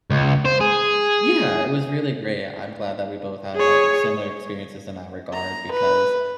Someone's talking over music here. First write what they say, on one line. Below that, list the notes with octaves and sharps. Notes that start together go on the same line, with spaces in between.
Yeah. It was really great. I'm glad that we both had, like, similar experiences in that regard because
C#2
C5
G#4
G#4 C#5
A#5
B4